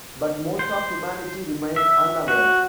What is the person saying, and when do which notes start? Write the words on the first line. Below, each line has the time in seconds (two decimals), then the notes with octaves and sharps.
But most of humanity remains unaware.
0.59 C5
1.76 E5
2.28 F#4